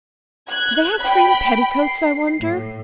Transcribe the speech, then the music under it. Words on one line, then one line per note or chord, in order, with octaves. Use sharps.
Do they have green petticoats, I wonder?
F#6 G#6
G5 B5
C7
A2